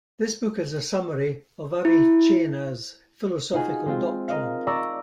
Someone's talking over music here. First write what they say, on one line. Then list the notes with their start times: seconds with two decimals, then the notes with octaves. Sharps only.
This book is the summary of Avicenna's philosophical doctrine.
1.85 E4
3.53 D#4 F4 F#4 G#4
3.86 G#3 C4 F4
4.28 A#4 D#5 F5
4.67 D5 A5 A#5 C#6 E6